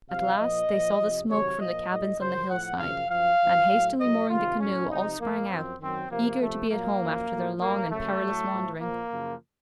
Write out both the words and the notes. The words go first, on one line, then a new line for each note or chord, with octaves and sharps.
At last they saw the smoke from the cabins on the hillside, and, hastily mooring the canoe, all sprang out, eager to be at home after their long and perilous wandering.
C3 F3 F5
A#2 F3 D#5
A#2 F3
C3 F3
C3 D#3 F#3 C#5
A#2 F3 D#5
A2 F#3 D#5
F#2 C#3 F3 C5
A2 F3 F#5
F#2 C#3 F3 F5
F#2 F3 F5
F#2 F3
A2 F#3
A2 F#3 D#5
C3 D#3 F#3 F4
A2 F#3 C#4
C3 F3 D#4
A#2 F3 A#3
F#2 C4
F3
F#2 D#3 F#3 C4
C3 F3 A#3
C3 F3 A3
A#2 F#3 A#3
F#2 F3
A2 F#3
A2 F#3 A#3
F#2 C#3 F#3 A3
A2 F#3
A2 F3
A#2 F3 A#3
F#2 C#3 F3